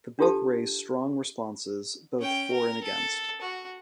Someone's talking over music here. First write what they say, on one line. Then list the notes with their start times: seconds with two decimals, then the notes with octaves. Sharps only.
The book raised strong responses, both for and against.
0.19 D4 F4 G4 A4 A5
2.19 C#4 G5
2.51 A#4
2.84 A4
3.41 F#4